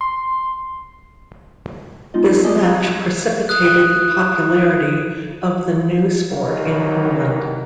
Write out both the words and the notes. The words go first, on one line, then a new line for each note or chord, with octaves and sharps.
This match precipitated the popularity of the new sport in Poland.
C6
G#3 B3 D#4 F4 D#5
C4 G4 G#4
D5 D#5 G#5 A5 D6 D#6
A#5 B5 C#6 D#6 E6 F#6
D#6 F#6
C2 D#3 E3 F#3